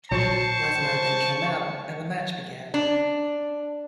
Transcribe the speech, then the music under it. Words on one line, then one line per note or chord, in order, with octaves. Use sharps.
Lesnar then came out and the match began.
A#1 F#3 C5 A5 C#6 C#7
D4